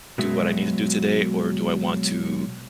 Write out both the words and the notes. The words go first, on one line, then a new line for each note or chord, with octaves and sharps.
do what I need to do today?" or, "Do I want to,
B2 F#3 G#3 F#4 E5